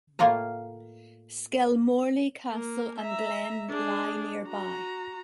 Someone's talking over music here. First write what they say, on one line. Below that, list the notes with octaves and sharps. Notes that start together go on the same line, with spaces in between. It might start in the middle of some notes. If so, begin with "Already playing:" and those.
Skelmorlie Castle and glen lie nearby.
A2 A#3 F4 F5 A#5
A#3 A#4
E5 A#5
D4 G#4
F#4 A#5